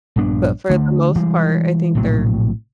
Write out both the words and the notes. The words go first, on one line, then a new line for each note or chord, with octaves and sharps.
But for the most part, I think they're
A#1 G2 B3 D4
D3 A3
E3 G3 G#3
A#1 A2 C3 F#3